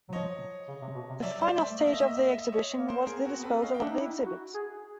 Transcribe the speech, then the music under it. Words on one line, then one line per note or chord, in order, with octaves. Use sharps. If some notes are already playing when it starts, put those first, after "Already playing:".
The final stage of the Exhibition was the disposal of the exhibits.
F#3
F3 C#5 D#5
C#3
C3
B2
C3
F#3 D5 E5
G3 C5 D5
A3 D5 E5
A#3 D#5
E5
A3 D#5
A#3 E5
D#5
E5
D#5
E5
D#5
E5
C#5 D#5
A#3
B3 A#4 C5
G#4 A#4
C4
F#4
B3
C4 A4 B4
C#4 D#5 F5
G5
D4 E5 F#5
D#4
E4
F#4
G#4